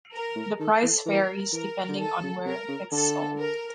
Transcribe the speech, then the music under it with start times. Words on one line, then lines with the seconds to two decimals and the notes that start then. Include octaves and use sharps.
The price varies, depending on where it's sold.
0.13 A#4
0.36 A2
0.59 D#3 A4
0.83 E3
1.06 E3 A#4
1.52 E3 A#4
1.89 D3
1.98 D#3 A4
2.23 C#3
2.45 C3 A#4
2.68 C#3
2.92 D3 A4
3.38 A#4